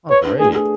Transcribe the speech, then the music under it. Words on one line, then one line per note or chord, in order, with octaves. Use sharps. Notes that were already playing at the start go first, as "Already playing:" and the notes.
Oh, great.
B4 C#5
D4
A3 G#4
G#4